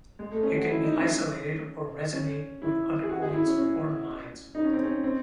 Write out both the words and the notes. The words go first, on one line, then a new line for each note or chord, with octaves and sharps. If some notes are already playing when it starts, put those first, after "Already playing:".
It can be isolated or resonate with other points or lines.
G#3
A3
C#4
F#4
E4
D#4
C#4
C#4
E4
G#4
F#4
G#4
E4
C#4
C#4
D#4
C#4
C4
C#4
C4